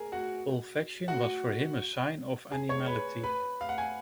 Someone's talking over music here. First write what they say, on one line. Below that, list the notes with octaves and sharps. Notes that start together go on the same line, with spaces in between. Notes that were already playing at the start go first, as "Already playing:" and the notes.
Olfaction was for him a sign of animality.
Already playing: G#4 A#4 G#5 A#5
F#4 F#5
F#4 F#5
G#4 G#5
C#5 C#6
B4 B5
B4 B5
F5
F#5
G#5